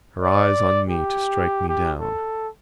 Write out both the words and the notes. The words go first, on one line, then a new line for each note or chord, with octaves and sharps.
Her eyes on me to strike me down.
D5
G4
G4
A4